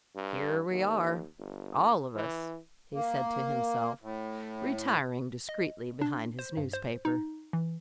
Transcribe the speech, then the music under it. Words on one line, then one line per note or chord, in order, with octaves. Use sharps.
"Here we are, all of us," he said to himself, retiring discreetly behind his newspaper.
G2
D#2
G1
E3
A#3
A2
D#5
D4
C5
G2
C5
D#4
E3